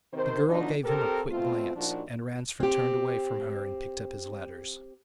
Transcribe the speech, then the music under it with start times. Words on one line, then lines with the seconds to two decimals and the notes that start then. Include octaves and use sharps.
The girl gave him a quick glance, and Ransford turned away from her and picked up his letters.
0.14 C3 D#3 C4 A#4 C5
0.48 B2 D3 F#3 D4 D#4 F4
0.84 C4 G4 A4 A#4
1.29 B2 A3 C4 F4
1.76 A#2 F3 D4 D#4 F#4
2.60 C4 G4